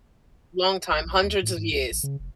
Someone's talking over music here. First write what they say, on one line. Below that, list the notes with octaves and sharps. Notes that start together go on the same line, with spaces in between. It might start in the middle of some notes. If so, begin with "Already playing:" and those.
Long time, hundreds of years.
A1
A#1
D#2
A2
G#2
C#2
A1
C#3
F1